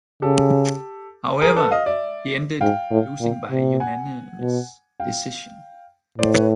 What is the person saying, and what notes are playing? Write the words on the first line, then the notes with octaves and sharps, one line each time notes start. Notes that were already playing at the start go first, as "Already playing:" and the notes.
However, he ended losing by unanimous decision.
C#3 G4 A4
G#4 A#4
A4 B4
D#5 F5
D5 E5
G#2 F5 G5
A2
A#2
C3
F#5 G#5
B2
F5 G5
A2 C5 D5
B4 C#5